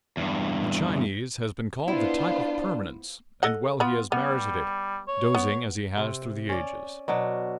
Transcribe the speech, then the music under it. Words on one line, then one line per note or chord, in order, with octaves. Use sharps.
The Chinese has been called the type of permanence, and well he has merited it, dozing as he has through the ages.
E2 G2
B3 D4 E4 F4 C5
A4 D#5 F#5
B3 F4 B5
G3 B3
C#5
B3
C3
C#4 D5
B2 F#3 D4